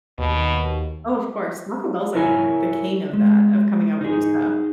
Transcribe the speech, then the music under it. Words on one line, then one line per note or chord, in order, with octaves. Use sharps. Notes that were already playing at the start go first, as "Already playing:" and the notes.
Oh, of course. Taco Bell is like the the king of that of coming out with new stuff.
D#2 B2
E4 A#4 C#5 G#5
G#3
D#4 G#4